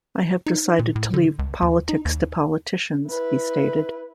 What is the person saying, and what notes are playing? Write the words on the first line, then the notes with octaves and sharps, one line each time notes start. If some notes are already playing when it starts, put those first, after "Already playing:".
"I have decided to leave politics to politicians," he stated.
D#4
A#2
A2
D3
C#2
D#2
D#4
D#2
E4 B4